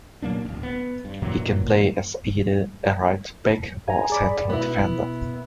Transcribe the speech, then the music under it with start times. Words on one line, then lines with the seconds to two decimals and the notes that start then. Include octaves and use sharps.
He can play as either a right back or a central defender.
0.22 A#2 F#3 A#3 D4
0.45 D1 B1
0.63 B3
1.05 G2
1.22 F#2 A#2 E3 F#3
3.88 G#5 A#5
4.10 G#4 D5 B5
4.50 B2 B3 E4